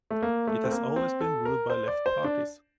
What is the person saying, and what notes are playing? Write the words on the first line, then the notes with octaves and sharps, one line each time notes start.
It has been always ruled by left parties.
A3
A#3
A3
C4
A#3
C4
A4
A#4
C5
D5
C5
D4